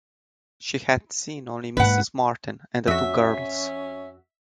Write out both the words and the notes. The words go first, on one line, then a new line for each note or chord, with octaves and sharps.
She had seen only Mrs Martin and the two girls.
G#2 A#3 B4 F#5
F2 C#4 F#4 E5